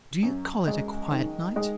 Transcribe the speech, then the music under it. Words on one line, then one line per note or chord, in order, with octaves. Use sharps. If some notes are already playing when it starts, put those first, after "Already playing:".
"Do you call it a quiet night?"
F#2
G#3
D#3
G#3